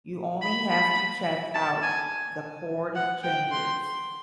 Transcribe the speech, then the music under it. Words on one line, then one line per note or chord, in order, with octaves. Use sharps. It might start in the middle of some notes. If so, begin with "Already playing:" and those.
You only have to check out the chord changes.
B5
B5
A5
G#5
F#5
G5
C6